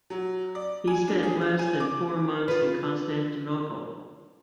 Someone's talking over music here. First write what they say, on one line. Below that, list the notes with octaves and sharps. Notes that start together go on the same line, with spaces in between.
He spent less than four months in Constantinople.
F#3
D5
G#5
D4
G#4
F4
G#5
D6
F4 B4